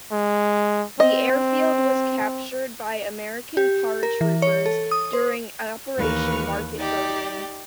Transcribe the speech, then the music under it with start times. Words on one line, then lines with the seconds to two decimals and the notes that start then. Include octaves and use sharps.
The airfield was captured by American paratroopers during Operation Market Garden.
0.12 G#3
1.00 C4 D#5
3.57 G4
4.03 A#4
4.21 E3
4.42 C#5
4.66 A4
4.91 D#6
5.13 C5
5.96 D#2 E3 B4 C#6 F6
6.77 D#4 G4 D5